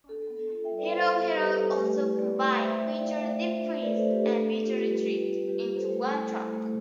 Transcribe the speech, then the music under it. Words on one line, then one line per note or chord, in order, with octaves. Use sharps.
"Hero, Hero" also combine "Winter", "Deep Freeze" and "Winter Retreat" into one track.
D4 A4
A4
B3
A4
F4 A4
E5 G5
G3
B4 D5
E4 A4 C5
B3
G3 G4 B4
G3 A4
A3 G4 B4
E4
E4 B4 D5
A3
A3 C5 E5
E5 G5
E4
E4 D5 F5
A3
F4 C5 E5
D4
A3 B4 D5
A4 C5
A3
G4 B4
D4 A4
B3
F4 G4
A4
G3
G4 B4
F4 G4 B4
C4
G3 G4 B4
G4 B4
G3
A4 C5
A3
E4
E4
A3